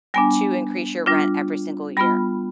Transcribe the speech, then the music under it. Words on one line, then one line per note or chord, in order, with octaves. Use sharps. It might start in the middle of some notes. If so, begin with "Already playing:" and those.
To increase your rent every single year
G3 B3 D4 G#5
G3 D4 F4
G3 B3 F4 B5